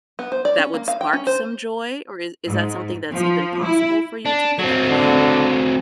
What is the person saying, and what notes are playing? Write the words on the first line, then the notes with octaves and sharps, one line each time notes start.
that would spark some joy, or is that something that's even possible for you to pick up again?
B3
C5
D5
C#4
A#3
F5
G5
C#4
C5
G#2
F3
E4
D4
F#3 C4
D3